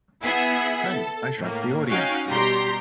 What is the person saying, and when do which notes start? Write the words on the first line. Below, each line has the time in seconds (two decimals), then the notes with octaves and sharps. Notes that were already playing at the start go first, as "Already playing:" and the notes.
Honey, I Shrunk the Audience!
0.23 B3 E4 G#4 E5 F#5
0.89 A4
1.39 A2 A#3
1.88 C#4 D#4 F#4 F5 G5 G#5
2.27 B2 G3 G4 A#5 C6